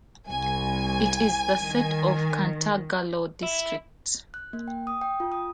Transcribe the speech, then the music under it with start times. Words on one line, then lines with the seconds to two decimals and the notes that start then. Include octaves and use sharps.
It is the seat of Cantagalo District.
0.28 C2 G#5
1.63 D#3
3.43 E4
4.34 F#6
4.53 A#3
4.68 G5
4.87 D#6
5.01 G5
5.20 F4
5.32 D#6